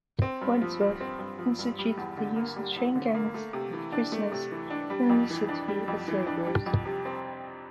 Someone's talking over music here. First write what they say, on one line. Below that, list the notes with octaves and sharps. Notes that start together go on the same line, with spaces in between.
Wentworth instituted the use of chain gangs of prisoners in the city as laborers.
C4
G2
F3
G2
C4
G2
F3
G2
G3
E2
D3
A#3
G3
E2
D3
A#3
A3
C3
E3
D4
A3
C3
E3
D4
G3
F2
E3
D4
G3
F2
E3
D4
G3
F2
C3
C4